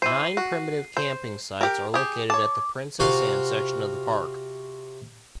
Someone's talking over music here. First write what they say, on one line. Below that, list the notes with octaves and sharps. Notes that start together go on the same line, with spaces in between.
Nine primitive camping sites are located at the Princess Ann section of the park.
E3 C5 C7 D#7
F#4
C5
G4 A#4
G4 G#4
C#5 A5 D6
C3 F4 F#4 F5 C6